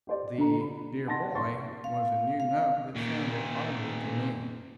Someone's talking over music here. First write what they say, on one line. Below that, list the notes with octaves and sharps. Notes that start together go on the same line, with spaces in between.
The "dear boy" was a new note, that sounded oddly to me.
G4 C5 D5
D3 A#5
B5
F#5 A5 C6 A6 A#6
C6 C#6 A6
F5
F5
A#2 D#3